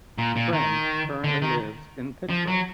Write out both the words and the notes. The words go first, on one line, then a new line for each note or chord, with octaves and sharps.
Friend currently lives in Pittsburgh.
A#2
A#2
D#3
D3
D#3
F3
F#3